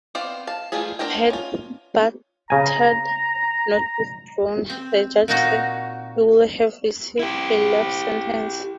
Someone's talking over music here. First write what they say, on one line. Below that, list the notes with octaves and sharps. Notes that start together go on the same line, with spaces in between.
Had Badat not withdrawn, the judge said, he would have received a life sentence.
B3 C4 C5 D5 F5
F5 A5
E3 G3 A3 F4 G#4
B3 D4 A#4 C5 G5
C#4 F4
C#3 G#5 A#5
C4
A#2 D#4 F#4
E4 G4